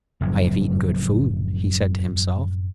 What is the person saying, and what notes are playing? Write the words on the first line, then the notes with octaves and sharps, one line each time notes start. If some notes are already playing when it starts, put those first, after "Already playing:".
"I have eaten good food," he said to himself.
F#1 F#2 A2 F3